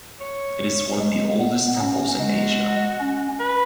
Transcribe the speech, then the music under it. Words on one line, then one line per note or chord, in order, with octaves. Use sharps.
It is one of the oldest temples in Asia.
C#5
G#3
B3
D#4
C#4 F#4
G#3
C#4
B4